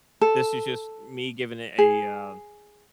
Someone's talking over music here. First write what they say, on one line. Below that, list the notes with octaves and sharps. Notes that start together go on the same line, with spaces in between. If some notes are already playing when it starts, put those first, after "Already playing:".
this is just me giving it a uh,
A4
G#4